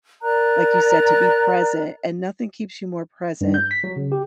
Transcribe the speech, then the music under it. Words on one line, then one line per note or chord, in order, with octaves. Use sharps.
like you said, to be present, and nothing keeps you more present
A#4 D5 A#5 F#6
G2
G6
B6
F#3
C#3
G4